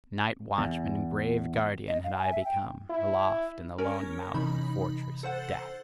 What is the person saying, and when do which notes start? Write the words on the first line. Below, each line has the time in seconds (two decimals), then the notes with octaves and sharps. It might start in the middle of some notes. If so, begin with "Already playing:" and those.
Night-watchman and grave-guardian had I become, aloft, in the lone mountain-fortress of Death.
0.58 E2
1.88 D#5
2.04 F5
2.16 G#5
2.32 E5
2.45 G5
2.90 E4
3.78 C#4 A#4 C#5
4.34 C3 E3 D#4 B5
5.23 A4 C5 F#5